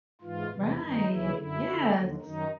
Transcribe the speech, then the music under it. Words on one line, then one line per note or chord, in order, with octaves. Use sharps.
Right. Yes.
G#2 E3 F4
E2 C3 E3
G2 D#3 D#4
D#2 C#3 E3 E4
F#2 D3 E4
F2 D3
D#2 D3
F#2 D#3 D#4